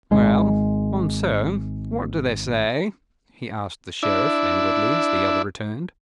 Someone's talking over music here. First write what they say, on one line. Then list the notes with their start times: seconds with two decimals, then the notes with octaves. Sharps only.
"Well, Monceux, what do they say?" he asked the Sheriff, languidly, as the other returned.
0.11 G#1 G#3
4.03 D4 E4